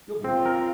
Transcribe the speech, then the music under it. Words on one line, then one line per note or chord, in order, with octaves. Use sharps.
"You'll be fine."
C4 F4
A#4